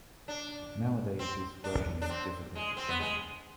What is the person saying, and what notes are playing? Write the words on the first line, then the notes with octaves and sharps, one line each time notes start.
Nowadays, this version is difficult to find.
D4
C4
D4
D4
C4
G#3
C4
B3
G#3